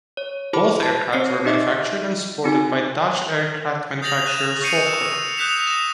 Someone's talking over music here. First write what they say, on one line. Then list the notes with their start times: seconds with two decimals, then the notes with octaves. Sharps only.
Both aircraft were manufactured and supported by Dutch aircraft manufacturer Fokker.
0.17 C#5
0.53 E4 G4 C5 A5 B5 D6
0.83 A5
1.13 C4 C5 C#5 A#6 C7
1.46 D#4 G4 D#5 E5 D6 A6
2.44 C4 D#4 F#4 G#5
4.02 D#6 G6 A6 A#6 F7 F#7
4.26 F#6 D#7 E7
4.62 C#6 G6 C7 C#7 D#7 F7
4.86 E6 C#7 E7 F7
5.37 D#6 F#6 G6 B6 E7 F7
5.67 D#6 A#6 E7